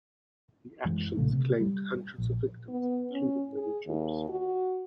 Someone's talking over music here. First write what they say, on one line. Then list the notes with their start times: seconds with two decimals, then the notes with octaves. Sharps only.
The actions claimed hundreds of victims, including many Jews.
0.85 F#2 E3 G#3
1.17 A#1 C#3 A3
1.33 C3
1.60 G3
2.18 A#1
2.69 B3
3.12 C#4
3.54 G#4
3.87 D#2
4.29 F#4